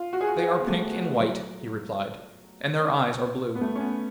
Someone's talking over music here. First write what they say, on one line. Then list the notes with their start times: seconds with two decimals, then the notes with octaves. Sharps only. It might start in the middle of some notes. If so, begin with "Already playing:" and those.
'They are pink and white,' he replied, 'and their eyes are blue.'
Already playing: F4
0.13 F#4
0.21 G#4
0.27 F#4
0.40 G#4
0.59 B3
0.67 A3
1.20 F#3
3.55 B3
3.61 A3
3.76 C#4
3.80 B3